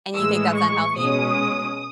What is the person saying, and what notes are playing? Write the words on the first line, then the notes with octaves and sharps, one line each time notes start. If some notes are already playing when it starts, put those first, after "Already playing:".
And you think that's unhealthy?
A2 E3 G#3 E6
C#6
B2 G#3 C#4 D#6